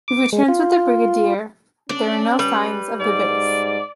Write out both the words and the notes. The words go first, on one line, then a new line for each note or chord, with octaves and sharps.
He returns with the Brigadier, but there are no signs of the base.
D6
G#3
F4
C#4 D4
G3 B4
G#2 D5